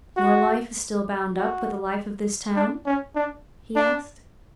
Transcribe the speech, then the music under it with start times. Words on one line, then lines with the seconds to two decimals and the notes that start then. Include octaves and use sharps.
"Your life is still bound up with the life of this town?" he asked.
0.17 F#4
1.37 F#4
2.56 D4
2.86 C#4
3.16 D4
3.76 D4